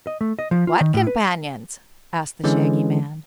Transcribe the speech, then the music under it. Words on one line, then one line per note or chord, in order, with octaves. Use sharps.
"What companions?" asked the Shaggy Man.
D#5
A3
D#5
F3
F4
D#3
A2
B4
D3 E3 G#3 C#4